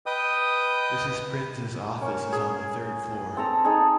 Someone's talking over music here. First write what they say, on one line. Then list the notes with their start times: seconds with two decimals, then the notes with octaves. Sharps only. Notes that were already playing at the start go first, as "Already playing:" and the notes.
Mrs Prinz's office is on the third floor.
0.06 B4 D#5 G5 D#6
2.00 C#4 A#4
2.32 G#4
3.37 C4 A4 A#5
3.64 D#4 G#4 A4 G#5